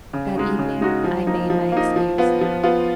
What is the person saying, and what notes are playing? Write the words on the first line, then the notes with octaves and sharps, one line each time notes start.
That evening I made my excuse.
C#3
G#3 D#4 F#4
C#3
G#3 D#4 F#4
F3
A#3 D#4
F3
A#3 D#4
F3
B3 F4
F3
B3 F4